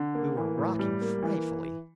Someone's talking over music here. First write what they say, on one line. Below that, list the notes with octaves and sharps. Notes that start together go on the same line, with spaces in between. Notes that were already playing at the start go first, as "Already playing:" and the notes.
We were rocking frightfully.
Already playing: D3
A#3
E3
A2
G3
A#3
E3